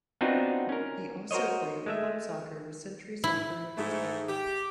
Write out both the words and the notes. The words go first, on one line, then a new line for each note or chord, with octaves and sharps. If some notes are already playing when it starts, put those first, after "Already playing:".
He also played club soccer with Century Soccer in Pittsburgh.
B3 C4 D4 D#4 F4 F#4
C#4 A#4
F#4 A#4 C5 C#5 D#5
G#3 A3 E5
E4
G#2 A3
G4